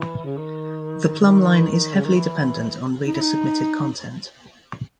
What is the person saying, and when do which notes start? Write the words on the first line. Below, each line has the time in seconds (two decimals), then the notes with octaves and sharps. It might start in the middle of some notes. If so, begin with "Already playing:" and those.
The Plumbline is heavily dependent on reader-submitted content.
Already playing: E3
0.25 C#3
0.37 D#3
1.20 C#3
1.25 D#3
1.93 C#3
2.04 D#3
2.16 E3
3.06 D#4
3.13 E4
3.20 D#4